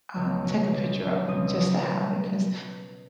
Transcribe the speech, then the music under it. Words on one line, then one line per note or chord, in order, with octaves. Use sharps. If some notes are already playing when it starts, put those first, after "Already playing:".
um, take a picture of 'em just to have it 'cause
C#2 E6
B2 F#3 A#3 C#4
C#2
B2 F#3 A#3 C#4
C#2 D#6
E6
B2 F#3 A#3 C#4